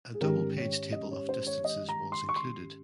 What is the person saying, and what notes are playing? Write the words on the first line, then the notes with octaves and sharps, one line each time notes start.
A double page table of distances was included.
G#4
G#2 D#3 G#3 C#4 G4 A#4
C#5
D#5
C#5
C5
C#5
D#5
A#5
C6
C#6
C6